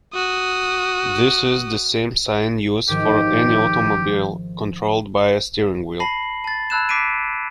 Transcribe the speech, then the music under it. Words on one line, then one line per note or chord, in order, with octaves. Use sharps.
This is the same sign used for any automobile controlled by a steering wheel.
F#4 D#6
G#2 D#3 F3 G4
A5 B5 A#6 C7 F#7
A5 A6
A5 B5 E6 F#6 G#6 E7
D6 B6 C7 D7 D#7